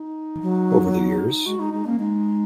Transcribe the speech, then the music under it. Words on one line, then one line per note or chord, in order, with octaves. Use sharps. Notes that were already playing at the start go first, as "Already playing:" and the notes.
Over the years.
Already playing: D#4
F#3
G#3 F#4
G#3 D#4
G#3 D#4
A#3 C#4
G#3 D#4